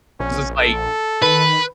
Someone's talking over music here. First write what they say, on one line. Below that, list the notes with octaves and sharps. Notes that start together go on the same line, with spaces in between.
'cause it's like
A#1 C#4
A4
D#3 B4